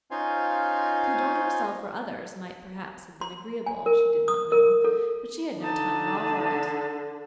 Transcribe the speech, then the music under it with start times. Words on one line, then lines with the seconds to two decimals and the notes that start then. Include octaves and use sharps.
To adorn herself for others might perhaps have been agreeable--she did not know--but she had no time at all for it.
0.11 C#4 D#4 F4 C5 F5 G#5
3.21 C6
3.66 G#5
3.86 A#4
4.28 D#6
4.52 A#4
4.84 A4
5.61 D3 D#4 A5